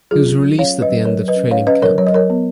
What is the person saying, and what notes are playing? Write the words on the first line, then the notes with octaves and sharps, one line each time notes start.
He was released at the end of training camp.
F#3 F4 G#4
C#4
F#3
C#4 C#5 F5
C#4
B4 D#5
F#3
F#3 A#4 C#5
F#3
B4 D#5
C#4
C#4 C#5 F5
C#4 B4 D#5
F#3 A#4 C#5
F#3 C#5
D#5
F#3 A#4 C#5
B3